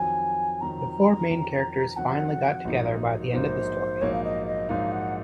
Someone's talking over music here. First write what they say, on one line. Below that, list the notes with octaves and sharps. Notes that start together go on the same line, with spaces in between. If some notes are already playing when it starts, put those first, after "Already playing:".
The four main characters finally got together by the end of the story.
Already playing: F2 D#3 F#3 G#5
F2 D#3 F#3 A#5
F2 D#3 F#3
F2 D#3 F#3 F#5
A#1 G#2 F#3 A#3 D#4
A#1 G#2 F#3 A#3 D#4 C5
A#1 G#2 F#3 A#3 D#4 C#5
F5
D#5
D#5
A#1 G#2 F#3 A#3 D#4 F5
F#5